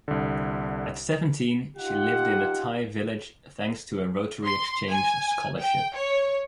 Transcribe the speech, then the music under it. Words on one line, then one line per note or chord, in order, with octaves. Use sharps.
At seventeen, she lived in a Thai village thanks to a Rotary exchange scholarship.
C2 D3
D#4 F4 G4 F#5
C6
G#5
G5
C#5